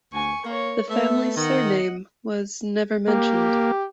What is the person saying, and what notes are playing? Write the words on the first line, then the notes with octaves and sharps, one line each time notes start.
The family's surname was never mentioned.
D2 G#5 C#6
A#3 A#4 C#5
A3 B3 E5
D#3 D#5 F#5
A#3 G4